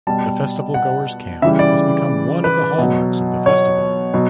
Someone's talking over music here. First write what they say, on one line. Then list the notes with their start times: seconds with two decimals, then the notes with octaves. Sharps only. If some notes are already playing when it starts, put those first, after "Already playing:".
The festivalgoers' camp has become one of the hallmarks of the festival.
0.07 B2 G3 A5
0.74 F#5
1.42 C#3 E3 G3 E5
1.59 D5
2.44 B4
2.78 B2 F#3
3.46 C#5
4.14 B2 F#3